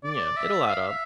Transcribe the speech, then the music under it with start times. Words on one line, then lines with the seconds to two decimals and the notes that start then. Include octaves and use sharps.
Yeah, it'll add up.
0.04 D5
0.37 E5
0.70 F5
0.87 E5